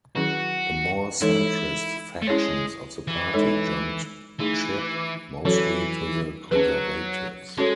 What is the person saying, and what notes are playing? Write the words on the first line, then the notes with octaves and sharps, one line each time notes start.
The more centrist factions of the party jumped ship, mostly to the Conservatives.
D#3 F#3 C#4 E4 F#4 G#4
E3 G#3 D#4 E4 A4 C#5
A3
G#3 C#4 E4 G#4 C#5
E3
G#3 D#4 A4 C#5
E3 A3 D#4 G#4
E3 F#3 C#4 F#4 A4 C#5
F#3 C#4 G#4 B4
G#3 C#4 F#4 A4 C#5